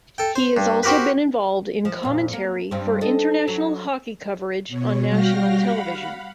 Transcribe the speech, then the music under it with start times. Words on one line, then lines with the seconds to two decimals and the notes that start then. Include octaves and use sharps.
He has also been involved in commentary for international hockey coverage on national television.
0.18 A4 G5
0.36 C5
0.57 G2
0.83 C4 F#4 G4 A#4 B4
1.85 F3
2.03 F2 A#2
2.33 A#3
2.71 G2 C4
3.01 A4 D#5
3.48 F#3
4.68 B2 C#5
5.06 G3 F#4 F5 G5 F6 A#6
5.61 F5 F#5 B5